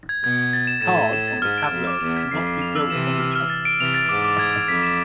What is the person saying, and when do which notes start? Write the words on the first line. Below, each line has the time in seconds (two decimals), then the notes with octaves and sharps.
Cards on the tableau cannot be built on each other.
0.09 G#6
0.24 B2 G#6
0.38 G#6
0.53 A6
0.67 E7
0.82 A2 E7
0.98 A6
1.13 E7
1.28 A6
1.42 G#2 F6
1.58 D7
1.71 F2 F6
1.87 D6
2.01 E2 E7
2.16 B6
2.31 F2 C7
2.47 C7
2.61 F7
2.75 E6
2.90 C3 E3 E7
3.06 E7
3.20 F6
3.35 F6
3.50 A6
3.65 D7
3.80 C3 E3 F7
3.94 A6
4.09 G#2 D6
4.24 D6
4.39 G#6
4.53 G#6
4.68 F2 B6
4.83 E7